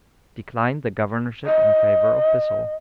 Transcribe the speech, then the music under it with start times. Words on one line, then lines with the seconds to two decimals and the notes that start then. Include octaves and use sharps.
Declined the governorship in favor of Bissell.
1.46 D#5